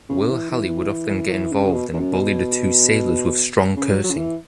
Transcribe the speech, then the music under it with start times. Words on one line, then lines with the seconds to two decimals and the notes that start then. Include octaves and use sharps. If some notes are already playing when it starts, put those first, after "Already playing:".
Will Halley would often get involved and bully the two sailors with strong cursing.
0.09 C#3
0.30 E3
0.51 E3
1.28 F#3
1.32 E3
1.52 C#3
1.65 C#3
1.73 B2
1.94 E2
1.99 F#2
2.13 B2
3.77 C#3
3.90 F#3
4.04 F#3
4.11 C#3
4.17 E3